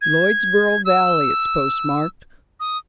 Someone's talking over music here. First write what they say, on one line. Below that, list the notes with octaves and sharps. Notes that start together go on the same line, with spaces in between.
Lloydsboro Valley it's postmarked.
G#6
E6
D#6